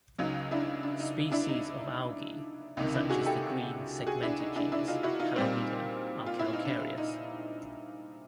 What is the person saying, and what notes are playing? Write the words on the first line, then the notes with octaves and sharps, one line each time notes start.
Species of algae such as the green-segmented genus "Halimeda" are calcareous.
C#2 C#3 F#3 D#4
D4 E4
D4
D#4
D4 E4
D#4
C#2 C3 D#3 D#4
D4 E4
F#4 G#4
G4 A4
F#4 G#4
D4 E4
D#4
D4 E4
D4 E4
D#4 F4
E4 F#4
D#4 F4
A#2 G3 C4
F4
E4
D#4
D4
D#4